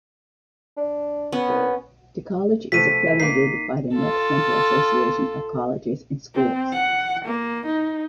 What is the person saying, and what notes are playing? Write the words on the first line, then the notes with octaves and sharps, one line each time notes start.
The college is accredited by the North Central Association of Colleges and Schools.
D4
B3 C#4
C2
C3 F3 A3 B6 D#7
E3
A#3 D#4 C7
F4 A4
C4
F#5
A#3
D#4